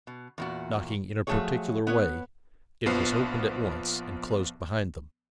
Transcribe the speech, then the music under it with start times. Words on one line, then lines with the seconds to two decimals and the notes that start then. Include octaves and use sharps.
Knocking in a particular way it was opened at once and closed behind them.
0.07 B2
0.38 E2 A#2 F#4
1.27 F3 F#3 A3 F4 G#4 C#5
1.87 B3 B4 C#5
2.86 A#1 F3 B3 C7